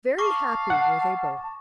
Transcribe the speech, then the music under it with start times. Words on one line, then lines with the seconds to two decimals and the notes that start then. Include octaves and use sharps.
Very happy were they both.
0.18 F5 A5 C#6 D6 A#6
0.70 F#5